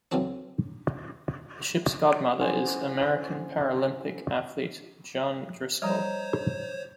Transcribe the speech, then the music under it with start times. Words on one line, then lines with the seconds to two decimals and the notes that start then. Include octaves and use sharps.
The ship's godmother is American paralympic athlete Jean Driscoll.
0.11 D2 C#3 E3 F#3 C4 D4
2.40 C#4 E4 C5 F#5 G#5 C6
5.82 F3 G3 C5 C#5 D#5 A#5